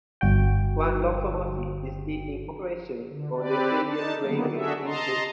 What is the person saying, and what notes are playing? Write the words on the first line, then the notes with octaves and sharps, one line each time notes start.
One locomotive is still in operation on the Pelion railway in Greece.
G1 F#4 G5
D3
C4 G4 B4 D5
D4 D#4 A5
D3 D#3 F#3 A#3 B3
D4 F#4 G#4 A4 E5
D#5 A5 A#5 C6